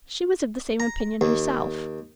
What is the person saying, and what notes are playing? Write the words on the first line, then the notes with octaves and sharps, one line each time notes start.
She was of the same opinion herself.
A#5
D#2